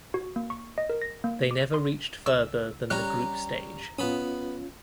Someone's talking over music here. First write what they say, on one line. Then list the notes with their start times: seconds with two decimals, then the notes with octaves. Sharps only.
They never reached further than the Group Stage.
0.14 F#4
0.36 A#3
0.50 C#6
0.78 D#5
0.90 A#4
1.02 A#6
1.24 A#3
1.51 D6
1.74 C6
2.26 C#2 E6
2.90 G3 C#4 A#5 F#6
3.98 B3 C#4 F4 B5 D#6